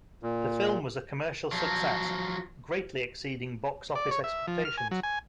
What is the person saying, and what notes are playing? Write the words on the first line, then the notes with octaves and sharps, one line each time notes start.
The film was a commercial success, greatly exceeding box office expectations.
A#2
F3 F#3
D5
C#5
E5
F3
F6
G#5
F#3
G#5